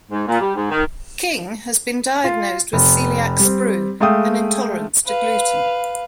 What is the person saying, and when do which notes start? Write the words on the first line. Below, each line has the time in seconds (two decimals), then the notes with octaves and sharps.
King has been diagnosed with celiac sprue, an intolerance to gluten.
0.11 G#2
0.28 A#2
0.40 G3
0.55 G#2
0.70 D#3
2.24 F4
2.73 F1
3.39 G3 C4
4.00 G#3 A3 E5 F5 G5 D#6
5.05 B4 F5